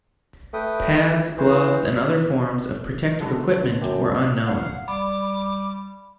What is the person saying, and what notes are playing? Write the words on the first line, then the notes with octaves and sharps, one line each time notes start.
Pads, gloves and other forms of protective equipment were unknown.
A3 B4 G5 D#6
E3 F#4 C5
B2 D3 G#3 B3 A4
F#2 G4
F5 F#5
G3 B5 D6